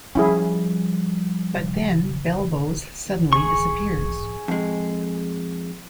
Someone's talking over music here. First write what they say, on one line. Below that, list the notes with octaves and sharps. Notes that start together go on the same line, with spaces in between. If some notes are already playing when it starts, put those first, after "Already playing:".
But then, Belboz suddenly disappears.
F3 G3 C#4 E4 G#4
G#4 C#6
F2 G#3